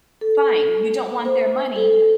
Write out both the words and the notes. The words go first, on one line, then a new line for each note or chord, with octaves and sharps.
fine. You don't want their money.
A4
C5
A4
A4